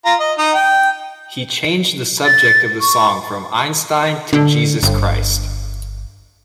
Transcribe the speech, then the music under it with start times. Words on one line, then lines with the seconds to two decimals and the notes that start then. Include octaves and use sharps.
He changed the subject of the song from Einstein to Jesus Christ.
0.05 F4 A#5
0.20 D#5
0.38 D#4
0.54 G5
2.25 A6
2.81 C#6
4.33 D3
4.83 G1